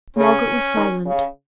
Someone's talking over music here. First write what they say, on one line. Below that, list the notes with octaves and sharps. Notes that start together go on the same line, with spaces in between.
Margaret was silent.
C#3 C#4
D#3
C#3